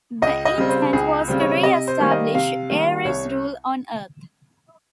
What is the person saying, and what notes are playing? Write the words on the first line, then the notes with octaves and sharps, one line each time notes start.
The intent was to re-establish Ares' rule on earth.
C#2 D#5
D#5
C#3 G3 C4
C5
C#2 G#4
C#3 G3 C4
C#5
C3 D#5
C5
D#3 G3 A#3
D#5
C3 F5
D#3 G3 A#3
C2 C#5